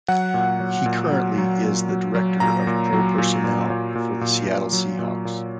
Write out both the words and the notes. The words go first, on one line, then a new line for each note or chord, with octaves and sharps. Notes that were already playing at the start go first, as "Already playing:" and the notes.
He currently is the Director of Pro Personnel for the Seattle Seahawks.
F#3 F#5
A#2
F#3
A#2
F#3
F#3
A#2
F#3
F#3
A#2 A#5
A#2
F#3
A#2
A#2
A#2
A#2
A#2
A#2
F#3
A#2
A#2